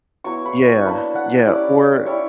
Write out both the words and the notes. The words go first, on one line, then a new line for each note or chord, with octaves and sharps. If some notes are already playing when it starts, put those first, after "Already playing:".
Yeah, yeah, or
F#3 B3 E4 C#6
B5
C#6
A#3 D4 B5
F#5
G3 C#4 E4 D5
G3 C#4 E4 C#5